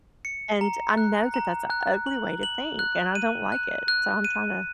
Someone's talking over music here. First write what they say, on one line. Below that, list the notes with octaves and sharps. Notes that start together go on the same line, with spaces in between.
And I know that that's a ugly way to think, and I don't like it, so I'm trying to
C#7
A#5
F#6
A#5
F#6
F#7
F#7
F#6
D#7
F#6
F#6
D#7